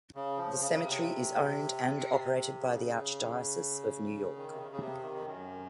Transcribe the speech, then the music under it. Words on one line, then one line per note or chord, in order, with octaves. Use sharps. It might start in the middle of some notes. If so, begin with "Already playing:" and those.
The cemetery is owned and operated by the Archdiocese of New York.
C#3
F3
C#3
C#3
C3
C#3
D#3
C3
C#3
C#3
C3
D#3
F2
F#2